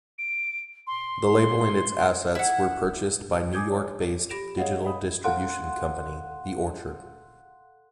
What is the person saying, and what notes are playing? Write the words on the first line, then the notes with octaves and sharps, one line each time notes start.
The label and its assets were purchased by New York-based digital-distribution company, The Orchard.
D7
C6
E4 F#5
G#5 D6 D#6 G6 G#6 G7
C#5
G4 B5 A#6 D7 E7 F7
G#4 C#5 D#5 F5 F#5
E5 B5 D#6
A4 F5 F#5 C6 F#6